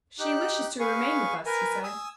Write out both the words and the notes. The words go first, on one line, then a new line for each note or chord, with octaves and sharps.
"She wishes to remain with us," he said.
D#4 G4 F#6
G#4 B4 F5 G#5 C#6
A#4 B4 G#5 A#5
G#5 D#6 E6